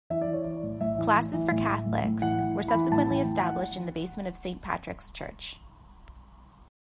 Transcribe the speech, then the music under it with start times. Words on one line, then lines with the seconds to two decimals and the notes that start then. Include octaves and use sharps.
Classes for Catholics were subsequently established in the basement of Saint Patrick's Church.
0.10 E3 E5
0.21 D5
0.28 E3
0.33 C#5
0.44 E3 D5
0.63 A2
0.81 A2 E5
0.98 E3
1.16 E3
1.33 E3
1.51 A2
1.69 A2
1.86 A2
2.04 A2
2.21 E3 F#5
2.39 E3
2.56 E3
2.68 B5
2.74 E3
2.92 A2 A5
3.10 E3
3.15 G5
3.27 E3
3.39 F#5